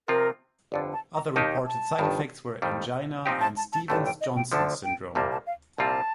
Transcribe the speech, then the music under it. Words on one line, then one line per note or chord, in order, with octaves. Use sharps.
Other reported side-effects were angina and Stevens-Johnson syndrome.
C3 F3 C4 F4 A#4
G1 F2 D3 D5
A5
A#5
D#2 D#3 A#3 D#4 G4 A5
A5
G1 G2 D#3
F2 D#3 G3
A#2 F3 C4 D#4 G4 G5
A5
A5
A5
A1 G2 D3 A3 A5
G5
D#5
G5
D2 D3 F3 A5
G5
C2 A#2 G3 A#3 A5
A5
F5
C2 A#2 G3 C4 F4 A5